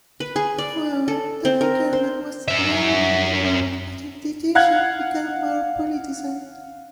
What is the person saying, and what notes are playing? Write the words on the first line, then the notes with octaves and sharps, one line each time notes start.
However that requirement has slowly been eroded as the institution has become more politicised.
B4
G#4
D5
A4
C4
A#4
C5
F#2 E5
F5 F#5 F#6 G#6